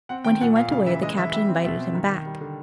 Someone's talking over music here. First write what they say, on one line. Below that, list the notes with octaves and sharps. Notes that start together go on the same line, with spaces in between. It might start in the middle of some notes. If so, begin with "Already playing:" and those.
When he went away the Captain invited him back.
C4 F#5
D#3 G5
A#2 F#5
A#2 F5
C#3 F5
E3 E5
G#3 D#5
E3 E5
G3 E5
C4
B2 E5
C4
D#3
D#3
G3
D3